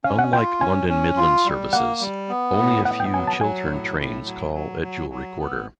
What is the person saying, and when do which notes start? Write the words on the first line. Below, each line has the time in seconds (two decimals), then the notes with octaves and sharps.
Unlike London Midland services, only a few Chiltern trains call at Jewellery Quarter.
0.04 C#4 F5
0.19 F#5
0.33 F4 G5
0.60 C#4 G#5
0.89 C#4
1.17 F4
1.45 G3
1.73 A#3 F#5
2.01 G3
2.29 B3
2.57 A2
2.85 B3 F#5
3.00 G5
3.13 F#3 G#5
3.27 A5
3.41 F#3 G#5
3.69 A2
3.97 A2
4.26 F#3
4.54 F#3
4.82 F#3
5.10 F#3
5.38 B3